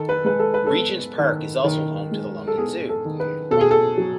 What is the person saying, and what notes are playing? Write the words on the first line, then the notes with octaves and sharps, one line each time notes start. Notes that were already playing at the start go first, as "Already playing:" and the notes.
Regent's Park is also home to the London Zoo.
Already playing: D#3 A4
B4
G#3 B4
A4
B4
B3 A4
D#3
D#3
G#3
A4
B3 G#4
A4
D#3
B4
B2 A4
G#4
A4
F#3